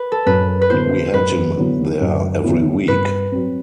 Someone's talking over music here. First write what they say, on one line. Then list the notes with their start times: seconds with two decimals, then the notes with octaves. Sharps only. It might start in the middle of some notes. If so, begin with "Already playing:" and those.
We had him there every week.
Already playing: B4
0.12 A4
0.26 F#2 B4
0.62 B4
0.70 D3 F#3 B3 E4 C5
1.13 F#2 B4
1.57 D3 F#3 B3 E4
2.01 F#2
2.44 D3 F#3 B3 E4
2.88 G2 B4
3.32 F#3 C4